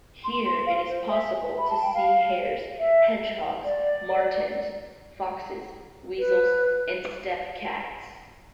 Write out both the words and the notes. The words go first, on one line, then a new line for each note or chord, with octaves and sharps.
Here it is possible to see hares, hedgehogs, martens, foxes, weasels and steppe cats.
C6
C6
F5
C5
E5
B5
A5
G5
F5
E5
D5
B4